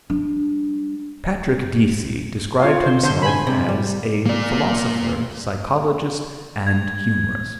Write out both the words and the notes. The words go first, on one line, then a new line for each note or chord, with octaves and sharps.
Patrick Deasey described himself as a "philosopher, psychologist, and humorist."
G3 D4
F4 C#5 F5
C5
D3 C5
G#5 B5
C2 C3
G3
A#3 D5
G#6